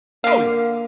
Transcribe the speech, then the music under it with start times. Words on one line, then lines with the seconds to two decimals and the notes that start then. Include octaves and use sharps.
Oh, yeah.
0.24 D3 A#3 F5